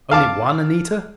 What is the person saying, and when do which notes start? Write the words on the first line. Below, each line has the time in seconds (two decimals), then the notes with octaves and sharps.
"Only one, Anita?"
0.11 F5 A5 D6 F6